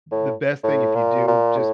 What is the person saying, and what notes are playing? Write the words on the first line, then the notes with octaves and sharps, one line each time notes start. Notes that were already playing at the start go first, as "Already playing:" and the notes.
the best thing if you do just
A2
A2
A#2
A#2
A2